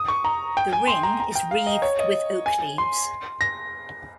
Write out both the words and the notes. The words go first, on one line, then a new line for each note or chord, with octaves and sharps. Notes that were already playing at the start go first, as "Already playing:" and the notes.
The ring is wreathed with oak leaves.
Already playing: D#6
C#6
A#5
G5
G#5
C6
A#5
A#5
G5
F5
D#5
C#5
D#5
G#5
C6
A#6